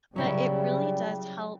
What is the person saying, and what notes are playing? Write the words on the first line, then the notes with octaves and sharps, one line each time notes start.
But it really does help,
C#3 F#3 G3 C#4 E4